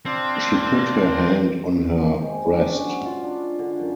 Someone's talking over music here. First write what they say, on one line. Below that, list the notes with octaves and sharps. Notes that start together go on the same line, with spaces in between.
She put her hand on her breast.
C4 D4 F4
C4
G#3
D4
C#4
F#3
F4
D4
D3
F#2